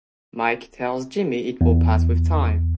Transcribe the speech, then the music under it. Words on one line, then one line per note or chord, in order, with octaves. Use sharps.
Mike tells Jimmy it will pass with time.
E2